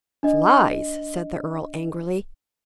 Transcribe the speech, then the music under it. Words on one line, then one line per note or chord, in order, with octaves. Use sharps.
"Flies!" said the earl, angrily.
D4 D#5